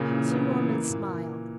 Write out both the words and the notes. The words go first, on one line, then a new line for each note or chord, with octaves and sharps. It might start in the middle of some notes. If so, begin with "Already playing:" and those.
Sir Norman smiled.
Already playing: A#2 C#3
E3
B3
E3
A#3
A#2